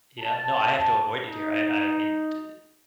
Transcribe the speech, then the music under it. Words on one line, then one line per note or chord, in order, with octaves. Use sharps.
Yeah, no, I have to avoid it here. I I mean, t
A5
D#4